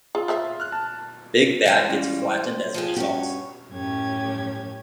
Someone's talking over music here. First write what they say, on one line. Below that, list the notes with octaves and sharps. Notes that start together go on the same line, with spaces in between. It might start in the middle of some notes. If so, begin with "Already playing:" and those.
Big Bad gets flattened as a result.
F4 G#4
G#4 C5 E5
F6 F#6
A5
E3 G3 G#3
C#4 F5
C5
F3 G4 G#4
G2 C#4 F#4 G4 C#5
F#2 A2 C#4 G4 G#6